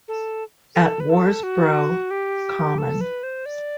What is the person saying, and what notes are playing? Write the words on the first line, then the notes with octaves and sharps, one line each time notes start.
At Worsbrough Common.
A4
A4
B4
A4
F#4
G4
A4
B4
C5
D5